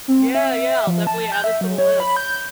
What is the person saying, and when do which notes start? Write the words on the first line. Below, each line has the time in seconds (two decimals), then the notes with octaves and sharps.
Yeah, yeah, I'll definitely add it to the list.
0.08 C4
0.35 E5
0.87 F3
1.07 A5
1.32 G6
1.44 E5
1.61 F#3
1.78 C#5
2.00 B5
2.17 G6